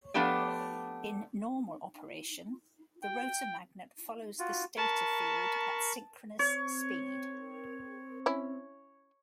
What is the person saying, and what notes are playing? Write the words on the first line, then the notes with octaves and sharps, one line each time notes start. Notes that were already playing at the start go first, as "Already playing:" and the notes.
In normal operation the rotor magnet follows the stator field at synchronous speed.
F3 A3 B3 D4 G4 D5
G5
F4 F#4
A#4 A5 B5 C#6
C4 C#5
C#4 E4